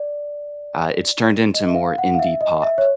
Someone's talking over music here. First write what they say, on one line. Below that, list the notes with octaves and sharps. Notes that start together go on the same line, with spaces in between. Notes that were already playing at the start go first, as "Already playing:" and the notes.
Uh, it's turned into more indie pop
Already playing: D5
D#5
E5
F5
F#5
F5
E5
D#5
E5
C#5